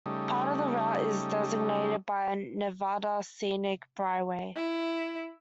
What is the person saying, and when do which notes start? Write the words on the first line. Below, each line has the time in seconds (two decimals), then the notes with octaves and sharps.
Part of the route is designated as a Nevada Scenic Byway.
0.06 C#3 G3 A3 D#4
4.56 E4